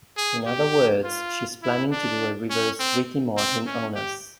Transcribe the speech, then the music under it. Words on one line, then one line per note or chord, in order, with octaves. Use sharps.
In other words, she's planning to do a reverse Ricky Martin on us.
G#4
G4
F4
E4
D4
C#4
C4
C4
C#4
G4